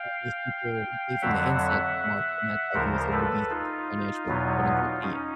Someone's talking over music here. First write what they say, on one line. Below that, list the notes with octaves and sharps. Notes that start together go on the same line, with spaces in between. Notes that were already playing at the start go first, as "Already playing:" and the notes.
and those people gave him the insights of the market, and that's how he was able to be such a financial quote unquote "genius."
Already playing: F5 G5
F2 D3 F#3 E5 F#5
D2 C#3 F3 A#4 C5
A4 B4
D#4 F4
E2 B2 F#3 B3
C#4 D#4